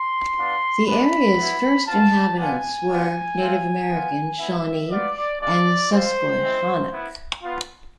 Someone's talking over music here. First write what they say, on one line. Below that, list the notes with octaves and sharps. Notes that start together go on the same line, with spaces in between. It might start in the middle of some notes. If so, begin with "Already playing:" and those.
The area's first inhabitants were Native American Shawnee and the Susquehannock.
Already playing: C6
B3 D4 F4
G#3 B3 D4 B5
B3 E4
B3 F4 A5
B3 D4 F4 G#5
B3 D4 F4
A3 C4 F4
B3 F4
B3 E4 E5
B3 F4 D5
G#3 D4 F4 D5
G#3 C4 F4 C5
G#3 C4 E4
B3 E4
B3 F4